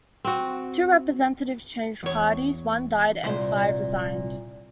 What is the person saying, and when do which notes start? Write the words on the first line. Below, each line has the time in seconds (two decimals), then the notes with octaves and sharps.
Two representatives changed parties, one died, and five resigned.
0.25 C4 F#4
2.03 E2 C#5
3.24 C2 A#2 C5